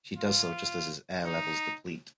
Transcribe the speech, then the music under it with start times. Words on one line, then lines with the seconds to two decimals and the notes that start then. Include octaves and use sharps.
She does so just as his air levels deplete.
0.17 F4
1.25 D#4